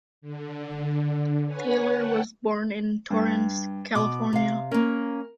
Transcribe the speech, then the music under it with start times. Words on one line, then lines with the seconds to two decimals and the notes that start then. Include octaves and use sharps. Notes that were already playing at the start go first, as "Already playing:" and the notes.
Taylor was born in Torrance, California.
0.22 D3
1.46 B4 C#5 F#5 G#5
1.90 F#5 G5 A5
3.10 G2
3.95 B2 D6
4.33 C3 F5
4.71 A#3 C#4 A#4